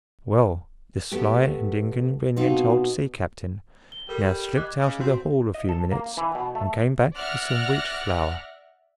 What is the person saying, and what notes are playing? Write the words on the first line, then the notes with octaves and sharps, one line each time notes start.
Well, this sly and inconvenient old sea-captain now slipped out of the hall a few minutes, and came back with some wheat flour.
A3 B3 G4
B2 C4 D#4 F4
G7
G3 A4 A#4
D#5 D6 F#6
C#3
C4 F#4
D#5
A4
A#3
E3
B2
A3
D5 E5 F#5 F6 F#6 A#6